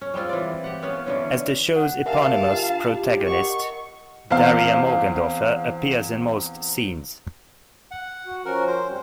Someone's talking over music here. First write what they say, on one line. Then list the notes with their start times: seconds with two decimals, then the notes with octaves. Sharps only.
As the show's eponymous protagonist, Daria Morgendorffer appears in most scenes.
0.01 C#4
0.14 G3 G#3 C4 F4
0.29 E3 D5
0.64 G4 F#5
0.82 B3 C#4 F5
1.06 D3 E3 C#4
1.76 F#5 F#6
2.06 D3 D4 G4 A#4 E5 F5 G#5 A5
2.53 F4 G5
2.88 G4
3.27 A#4 D#5 F#5 C#6
4.30 E2 C4 F5
7.91 F#5
8.26 F#4
8.45 F3 C#4 F#4 A#4
8.67 C5
8.88 D2 G3 C4